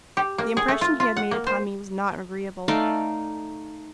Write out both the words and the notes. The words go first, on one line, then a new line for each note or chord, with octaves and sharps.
The impression he had made upon me was not agreeable.
G4
A#3
G#4
A3
F4
F4
F#5
A#3
C5
A3 D#4 D5 F5